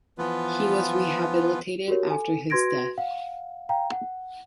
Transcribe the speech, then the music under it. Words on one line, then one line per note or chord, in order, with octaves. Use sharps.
He was rehabilitated after his death.
E3 F3 B3 F4 B4
F#4 G4 A#4 C#5
A4 G#5
F#4 B4 C6 G#6 A#6 D7
F5 F#5
F5 G5 A#5
F#5